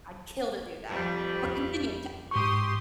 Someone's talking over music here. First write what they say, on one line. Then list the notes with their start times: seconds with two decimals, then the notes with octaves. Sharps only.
I'd kill to do that. But continue, ta
0.88 F2 G3
2.31 G#2 G4 C6 C#6 D#6